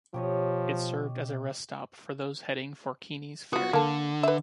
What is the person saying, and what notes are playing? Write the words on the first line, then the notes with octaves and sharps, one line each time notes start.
It served as a rest stop for those heading for Keeney's Ferry.
B2 F3 G4 C#5 D#5
B3 F4 F#4
D3 A#3 A4
B4 E5